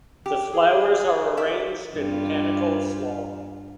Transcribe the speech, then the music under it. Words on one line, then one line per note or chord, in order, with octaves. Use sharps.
The flowers are arranged in panicles long.
G4
G#4
D5 E5
G2 F4